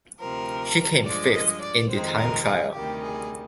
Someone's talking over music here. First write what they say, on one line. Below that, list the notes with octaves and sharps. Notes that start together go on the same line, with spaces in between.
She came fifth in the time trial.
D2 C3 F3 C4 A#4
G2 F3 G#3 D4 D5
D#5
D5
F2 D#3 G#3 C4 C5
A#4
G#4
D2 C3 D#3 G3 G4
G#4